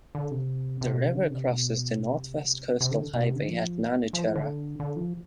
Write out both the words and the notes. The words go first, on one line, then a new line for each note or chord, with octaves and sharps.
The river crosses the North West Coastal Highway at Nanutarra.
D3
C3
C3
B2
C3
D3
C3
B2
C3
C3
D3
B2
C3
D3
F3
F3
E3
D3
D3
F3